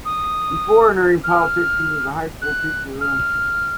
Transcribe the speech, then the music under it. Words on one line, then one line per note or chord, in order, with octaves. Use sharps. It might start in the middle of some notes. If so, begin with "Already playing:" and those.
Before entering politics he was a high school teacher.
D#6
F6
F#6
F6